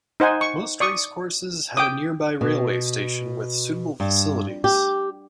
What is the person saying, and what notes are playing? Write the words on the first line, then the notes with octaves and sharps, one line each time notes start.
Most racecourses had a nearby railway station with suitable facilities.
D#4 C5 F#5 G#5
C#6
D5 C#6 D#6
G5 D6 D#6
B2
G2
G4